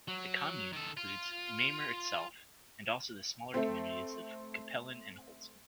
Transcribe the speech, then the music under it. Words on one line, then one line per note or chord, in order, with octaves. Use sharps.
The commune includes Mamer itself, and also the smaller communities of Capellen and Holzem.
F#3
D#3 A4
F4
A3 C4